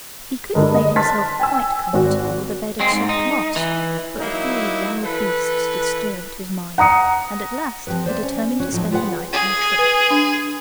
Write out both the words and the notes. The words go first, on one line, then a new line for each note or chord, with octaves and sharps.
He could have made himself quite comfortable with a bed of soft moss, but the fear of wild beasts disturbed his mind, and at last he determined to spend the night in a tree.
G2 D3 G#3 A#4
D#5
A5 C6 F6 F#6 A6 B6
G5 G#5 E6
G#1 F#4
G#3 C4
G#2
D#4
E3
F#3 A#3 D#4 E4
E3 A4 B4
F#5 A#5 D#6 C#7
F3 C4 G4 B4
C5 D5 E5
C#4
C#4 F#4
A2 F3 F#3 C4 D#4
F4 G4 G#4 B4 D#5 F#5
G#4
B4
D4